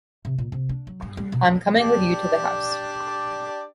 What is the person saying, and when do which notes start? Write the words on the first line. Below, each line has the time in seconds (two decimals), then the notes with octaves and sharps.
I'm coming with you to the house.
0.25 C3
0.38 A#2
0.52 C3
0.69 D4
0.87 F#3
1.02 G2
1.17 G3
1.32 B2
1.80 D4 G4 D5